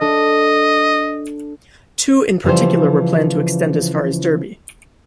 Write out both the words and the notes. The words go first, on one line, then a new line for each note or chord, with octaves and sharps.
Two in particular were planned to extend as far as Derby.
D4 A4 D#5
C#3 E3 F3 G3 C5